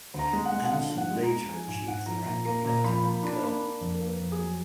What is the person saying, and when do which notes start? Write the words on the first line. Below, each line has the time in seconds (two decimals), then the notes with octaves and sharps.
Anson later achieved the rank of lieutenant colonel.
0.14 D2
0.19 A#5
0.33 G#3
0.46 F#5
0.52 G#3
0.65 F#5
0.71 D3 F5
0.91 F3
0.98 F#5
1.10 G#3
1.23 A#5
1.30 G#3
1.41 A#5
1.49 F3 G#5
1.68 G#2 G#5
1.87 G#2 F#5
2.06 F3 A#5
2.26 A#2 A#5
2.45 A#3 A#5
2.65 A#2 A#5
2.84 F3 B5
3.04 A#3 B5
3.23 D4 B5
3.42 A#3 B5
3.61 D4
3.81 F2
3.94 A#4
4.00 A#3
4.07 B4
4.20 F2
4.32 G#4
4.38 F#3